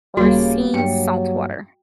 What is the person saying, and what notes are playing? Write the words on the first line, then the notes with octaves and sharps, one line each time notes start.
or seen saltwater.
D#1 C#3 G3 A#3 F#4
G2 F#3 G5